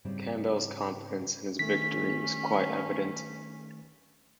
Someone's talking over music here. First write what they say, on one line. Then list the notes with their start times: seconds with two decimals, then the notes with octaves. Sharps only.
Campbell's confidence in his victory was quite evident.
0.05 G#2 C#3 G3 C4
1.59 D#3 A3 C#4 B6